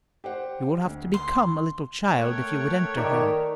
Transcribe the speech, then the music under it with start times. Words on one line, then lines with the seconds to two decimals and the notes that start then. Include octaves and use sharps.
"You will have to become a little child if you would enter her."
0.24 G4 C5 F#5
0.85 D2
1.14 C6
2.07 A3 A#4 C#5 F#5 G5
2.97 D#3 D#4 D5 E5